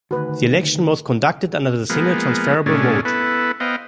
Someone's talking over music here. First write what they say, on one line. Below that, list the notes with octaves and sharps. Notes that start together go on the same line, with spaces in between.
The election was conducted under the single transferable vote.
D2 D#3 F#4 B4
F3 G#3 A#3 B3
A#2 C#3 G#3 A3 C#4 D4
B3 E4 A4 B4
B3 C5 D#5 F5 G5